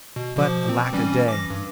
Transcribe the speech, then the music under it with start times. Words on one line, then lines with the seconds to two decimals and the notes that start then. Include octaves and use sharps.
But alack-a-day!
0.16 B2
0.36 B2 F3 D6
0.69 C4
0.93 E3 G3 C#4
1.28 D6 A#6
1.50 G2